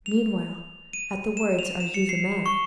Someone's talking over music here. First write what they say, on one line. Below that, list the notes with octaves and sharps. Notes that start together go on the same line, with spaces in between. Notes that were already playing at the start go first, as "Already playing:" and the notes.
Meanwhile, at the words, Are you the man?
F7
D#7
E7
F7
E7
C#7
C7
C#6